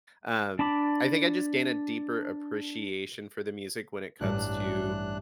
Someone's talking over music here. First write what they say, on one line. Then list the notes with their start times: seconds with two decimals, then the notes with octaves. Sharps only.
Um, I think I just gain a deeper appreciation for the music when it comes to
0.59 D4 A5 B5 D6
4.21 A1 G2 D4 F#6